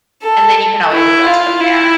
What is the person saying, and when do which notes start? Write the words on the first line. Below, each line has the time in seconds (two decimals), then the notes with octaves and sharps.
and then you can always adjust from there.
0.23 A4
0.92 E4
1.26 F4
1.60 E4